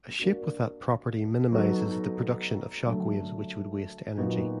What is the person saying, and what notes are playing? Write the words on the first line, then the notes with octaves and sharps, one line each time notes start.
A shape with that property minimises the production of shockwaves which would waste energy.
A#3 D4 F#4
F#3 B3 D#4 F#4 A4
D3 F#3 A3
A#2 F#3 B3 D#4 F#4